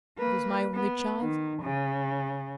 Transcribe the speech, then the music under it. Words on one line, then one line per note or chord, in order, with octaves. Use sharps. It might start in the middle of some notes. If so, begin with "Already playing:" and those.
It was my only chance.
A#3 B4
B3
D#3
C#3